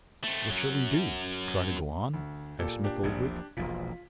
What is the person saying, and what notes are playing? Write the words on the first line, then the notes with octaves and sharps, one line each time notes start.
"What shall we do--try to go on?" asked Smith-Oldwick.
A3 C4
F#2 F#3
D2
A#2 G4 A4
D4 G4
A#1 E2 A#2 G#6
E1 A#1 A#2 F4 B6